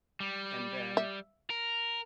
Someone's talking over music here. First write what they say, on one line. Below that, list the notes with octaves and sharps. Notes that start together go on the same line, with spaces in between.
and then
G3
E5
A#4